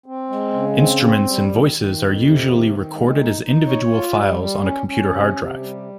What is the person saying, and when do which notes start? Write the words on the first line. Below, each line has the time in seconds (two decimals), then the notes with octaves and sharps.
Instruments and voices are usually recorded as individual files on a computer hard drive.
0.06 C4
0.30 G#3
0.53 C#3
0.78 C4
1.02 C4
1.26 G3
1.50 D#3
1.74 D#3
1.98 F2
2.22 C3
2.46 D#3
2.71 D#3
2.94 G#3
3.18 D#4
3.42 D#4
3.67 C#5
3.90 F4
4.15 G3
4.39 G3
4.63 C#4
4.87 C#4
5.11 C3
5.35 C3
5.59 G3